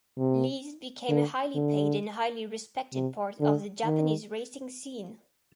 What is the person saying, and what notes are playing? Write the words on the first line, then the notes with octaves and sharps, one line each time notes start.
Lees became a highly paid and highly respected part of the Japanese racing scene.
C3
D3
D3
C3
D3
D#3